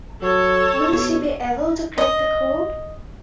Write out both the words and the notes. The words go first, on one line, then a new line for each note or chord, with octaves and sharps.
Will she be able to crack the code?
F#3 A4 C#5
B2
D#5